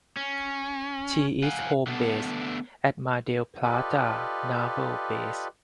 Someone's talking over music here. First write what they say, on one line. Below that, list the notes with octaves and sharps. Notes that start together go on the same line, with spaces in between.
She is home based at Mar del Plata naval base.
C#4
F5 F#5 G#5
D3 A3 B3 D4
F4 G4 A4 B4 D5 D#5